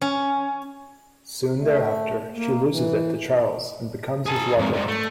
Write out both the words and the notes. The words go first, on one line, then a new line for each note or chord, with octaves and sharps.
Soon thereafter, she loses it to Charles and becomes his lover.
C#4
A3
A#3
E3
G#4 A5
F2 G#2
G#2 G3
A3